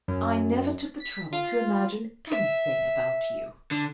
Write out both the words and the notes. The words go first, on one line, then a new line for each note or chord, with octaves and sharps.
"I never took the trouble to imagine anything about you."
F#2
B6
F4
E5
D3